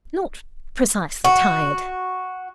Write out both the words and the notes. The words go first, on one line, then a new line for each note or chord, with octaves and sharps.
'Not precisely tired.
F#4